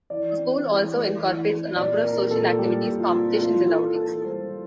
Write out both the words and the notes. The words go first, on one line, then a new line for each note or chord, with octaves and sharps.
The School also incorporates a number of social activities, competitions and outings.
E3 D5
C4
E3
A3
E3
C4
A#2 D5
C4 A#4
A#2 A4
G3 G4
A#2
F4
C4
E3 F4
A#3 A4
E3 A4
G3 C5
E3